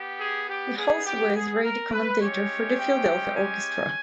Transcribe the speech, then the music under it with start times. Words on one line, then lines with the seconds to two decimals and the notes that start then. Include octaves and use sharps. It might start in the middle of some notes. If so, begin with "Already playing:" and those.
He was also a radio commentator for the Philadelphia Orchestra.
Already playing: B3 G4
0.20 G#4
0.48 G4
0.76 G#4
1.06 G4
1.35 G#4
1.63 A#4
1.92 B4
2.21 G#3 C#4 G4 C#5
2.79 G5
3.35 G#5